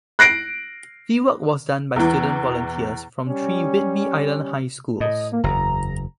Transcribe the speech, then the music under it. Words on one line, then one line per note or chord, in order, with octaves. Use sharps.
The work was done by student volunteers from three Whidbey Island high schools.
F#6 A#6 C7 D7
E2 E3
G3 C#4
A2 D#5
A#3
F#1 E2 A#5